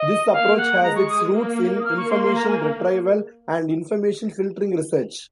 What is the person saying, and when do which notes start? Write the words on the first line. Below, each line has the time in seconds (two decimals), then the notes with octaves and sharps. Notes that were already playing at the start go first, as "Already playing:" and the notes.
This approach has its roots in information retrieval and information filtering research.
Already playing: D#5
0.32 A#3 F5
0.57 F#5
0.83 G#3 A#5
0.96 C#6
1.09 D#6
1.34 A#3
1.80 D#6
1.84 A#3 F6
1.97 C#6
2.10 C6
2.23 C6
2.35 A#5
2.48 G#5
2.61 A#5